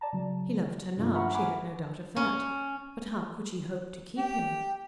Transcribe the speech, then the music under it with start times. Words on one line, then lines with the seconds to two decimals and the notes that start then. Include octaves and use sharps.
He loved her now; she had no doubt of that; but how could she hope to keep him?
0.01 D5 A5 A#5
0.13 C#3 F#3
0.97 G2 C3 C4 D4 F4
1.15 E5 F#5 A#5 B5 C#6 F6
1.33 F#5 G#5 B5 D6
2.16 C#4
4.18 G4